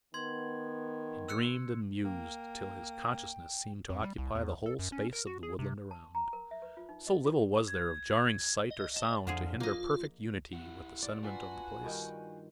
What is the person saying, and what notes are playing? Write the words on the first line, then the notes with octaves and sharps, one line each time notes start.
He dreamed and mused till his consciousness seemed to occupy the whole space of the woodland around, so little was there of jarring sight or sound to hinder perfect unity with the sentiment of the place.
D#3 B3 C6 G#6
E6 F#6 C#7
A#3 G5
F2
G3
C2
E2
A4
F#2
C#4
A#4
F#4
G#4
C3
A5
A#5
A#4
E5
B4
F4
D#4
D#5
F4
G#6
D#5
A5
F2 D3 F3 G#4
A#3 F4 D#5
E4 G4 F#5
D5
D4 F4 F#4 B4 F#5 G#5
G2 D#3 G5